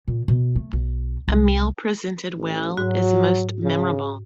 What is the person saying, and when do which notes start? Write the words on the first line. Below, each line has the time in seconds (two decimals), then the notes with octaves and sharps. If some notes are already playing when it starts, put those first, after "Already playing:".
A meal presented well is most memorable.
0.08 A#2
0.28 B2
0.56 A3
0.73 B1
1.28 C2
2.35 A1
2.77 G#2 F#3 F#4
3.62 C#3